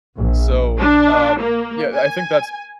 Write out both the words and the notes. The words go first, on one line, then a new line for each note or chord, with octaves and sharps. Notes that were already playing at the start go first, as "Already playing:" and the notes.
So, um, yeah, I think that's
A#1
D4
A#3
G#5